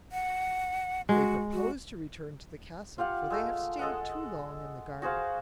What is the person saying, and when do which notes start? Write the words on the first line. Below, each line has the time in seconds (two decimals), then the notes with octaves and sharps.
They propose to return to the castle, for they have stayed too long in the garden.
0.12 F#5
1.09 G#3 F#4
1.53 F#4
2.98 F4 G4 F5 F#5
3.30 G#3 A3
3.79 G#3 A4 D#5 F#5
5.02 F#4 G#4 C5 F5